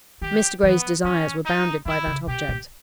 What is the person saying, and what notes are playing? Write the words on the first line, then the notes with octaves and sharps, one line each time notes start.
Mr. Gray's desires were bounded by that object.
D#3 G4
E3 B3
E3 C#4
D#4
D#3 E4
C#3
B2 G4
A#2